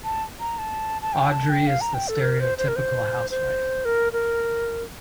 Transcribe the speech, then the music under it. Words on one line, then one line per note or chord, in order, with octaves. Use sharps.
Audrey is the stereotypical housewife.
A5
A#5
A5
A5
G5
A5
G5
F5
A#5
G5
A4
A#4
C5
C5
A#4
C5
C5
A#4
A#4